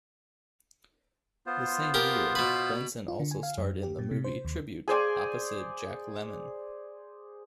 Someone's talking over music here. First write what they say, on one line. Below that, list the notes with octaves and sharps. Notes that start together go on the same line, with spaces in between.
The same year, Benson also starred in the movie "Tribute" opposite Jack Lemmon.
B3 F4 C5
G4 A#4
B2 B4
F4
D3
G#5
F5
F#2
G4
A#2
C3
C5
D#2
G#4 C5 D5 G#5